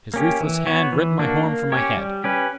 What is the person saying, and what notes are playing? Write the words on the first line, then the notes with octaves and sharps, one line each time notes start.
His ruthless hand rent my horn from my head.
A#3 C#4 G4
E3
B3 F#4 C#5
E3
A#3 D4 F#4
A#3
C#4 G4 C#5
G3
C#4 G4 B4